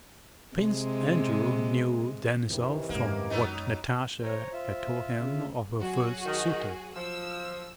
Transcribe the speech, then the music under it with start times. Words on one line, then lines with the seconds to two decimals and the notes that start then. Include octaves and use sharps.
Prince Andrew knew Denisov from what Natasha had told him of her first suitor.
0.57 C3 G#3
2.50 F#2 C3 D#3 E3
2.90 F#2 G#3 A#3
3.30 F#3 B3 D#4
4.23 C5 C#5 A#5
4.53 F4 E5
5.19 C#3
5.82 F#3 F#4 G#4
6.26 D#3
6.95 F3 E6